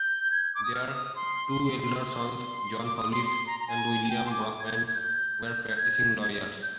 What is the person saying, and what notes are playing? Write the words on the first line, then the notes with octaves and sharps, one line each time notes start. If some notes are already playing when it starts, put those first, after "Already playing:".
Their two elder sons, John Hollis and William Brockman, were practicing lawyers.
Already playing: G6
G#6
D6
D#6
F6
D#6
C6
C6
D6
D#6
C6
C6
A#5
A#5
G#5
G5
C6
D6
G#6
G6
G#6
G#6
G6
G6
G#6
G6